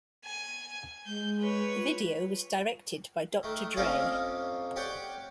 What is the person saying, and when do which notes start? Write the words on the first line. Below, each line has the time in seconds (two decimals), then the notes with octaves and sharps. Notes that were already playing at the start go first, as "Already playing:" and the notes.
The video was directed by Doctor Dre.
0.24 G#5
1.06 G#3 G6
1.40 B4 C#5
1.74 F4
3.43 D#3 A3
3.77 F2 A#3 C#4 D#4 F4 D5
4.76 G4 C#5 D5 F#5 G5